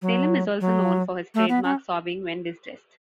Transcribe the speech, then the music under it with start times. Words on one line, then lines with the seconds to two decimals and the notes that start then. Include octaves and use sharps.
Salem is also known for his trademark sobbing when distressed.
0.02 F#3
0.61 F#3
1.35 A3
1.49 B3
1.64 C#4